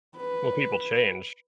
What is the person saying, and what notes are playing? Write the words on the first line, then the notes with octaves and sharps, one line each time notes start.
Well, people change.
B4